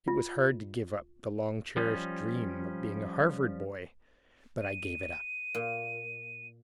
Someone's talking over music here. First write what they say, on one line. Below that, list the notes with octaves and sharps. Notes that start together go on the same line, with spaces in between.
It was hard to give up the long-cherished dream of being a Harvard boy; but I gave it up.
F4
F3 G3 C#4
D#7
A#2